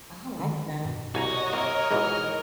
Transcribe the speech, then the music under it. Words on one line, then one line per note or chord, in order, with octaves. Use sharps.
I like that.
D3 D#3 C#4
G2 B2
C2 F#4 C#5 D#5 G#5 A#5
C3 A#4 E5 F#5 C#6
G#2 B2 E3 F4 G#4